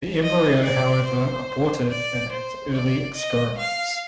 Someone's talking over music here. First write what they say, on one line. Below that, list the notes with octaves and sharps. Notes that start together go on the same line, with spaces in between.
The Embryo however aborted in his early experiments.
D#5
D5
C5
D5
C5
D5
D#5
F5